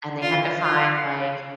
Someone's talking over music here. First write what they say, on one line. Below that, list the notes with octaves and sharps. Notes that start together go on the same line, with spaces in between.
and they had to find, like,
F4
F4